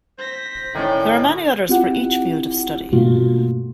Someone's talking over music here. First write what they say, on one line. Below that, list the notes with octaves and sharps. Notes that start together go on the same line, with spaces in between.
There are many others for each field of study.
C5 A#6 B6
A2 D#3 C#4 D5 G5
C4 E4 F4 G4 F#5
G2 B2 A3 A#3 F4 F#4